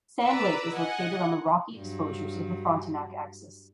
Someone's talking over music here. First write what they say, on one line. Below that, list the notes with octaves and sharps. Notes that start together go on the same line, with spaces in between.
Sand Lake is located on the rocky exposures of the Frontenac Axis.
B4 D5 A#5 B5 E6
D#5 F#5 G#5
G2 F#3